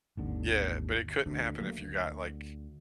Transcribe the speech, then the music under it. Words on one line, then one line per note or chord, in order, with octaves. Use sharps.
Yeah, but it couldn't happen if you got, like,
G#1 D#2 D3
D2 D3
F#3 A3 A#3
D2